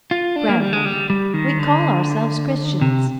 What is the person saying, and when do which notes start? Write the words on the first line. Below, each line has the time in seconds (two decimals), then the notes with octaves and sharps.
Grandmother, we call ourselves Christians.
0.11 F4
0.36 D4
0.49 A#3
0.60 G3
0.73 G#3
0.85 G3
1.10 G3
1.34 D#3
1.59 D3
2.82 C3